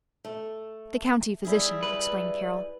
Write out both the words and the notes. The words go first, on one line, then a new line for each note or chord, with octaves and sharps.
"The county physician," explained Carroll.
A3
G3 E4 G#4
B4